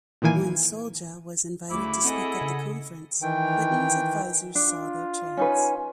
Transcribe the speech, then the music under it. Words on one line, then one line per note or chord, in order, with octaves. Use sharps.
When Souljah was invited to speak at the conference, Clinton's advisors saw their chance.
A#2 D#3 E3 A#3 G#5
D2 C#3 E4 D6
C4 G#4 A4 D#5 F#5
C#3
D#3 E3 G5
D4 F4
C#4 D#4 B4 G#5